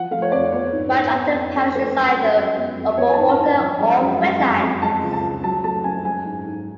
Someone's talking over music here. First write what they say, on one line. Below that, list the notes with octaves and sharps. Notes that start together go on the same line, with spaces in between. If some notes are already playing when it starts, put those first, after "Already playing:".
Much of the parish is either open water or wetlands.
Already playing: F3 F#5
A3 F5
C#5
F2 D5
B3 C#5
G#2
G#2
B3
F2
F2
A3 B4
F#2
F#2
G#3
B3
F2
B3 C#5
G#5
G#2 A5
A5
G#2 A5
F3
G#3
F#2
G#3
F2
F2
G#3 A5
C#2
A5
C#2
F#3 A5
A3 A5
F#2 G#5
G#3 G#5
G#2
G#2